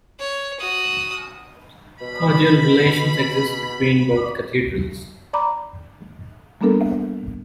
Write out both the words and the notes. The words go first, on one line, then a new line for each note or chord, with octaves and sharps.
Cordial relations exist between both cathedrals.
C#5
F#4 D#6
B2 B5
D5 A#5 B5 D6
G3 A#3 B3 D4 A4 A#4